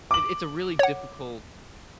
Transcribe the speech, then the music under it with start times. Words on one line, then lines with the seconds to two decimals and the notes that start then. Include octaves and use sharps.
it it's a really difficult
0.11 D6 F#7
0.79 C#5 F#5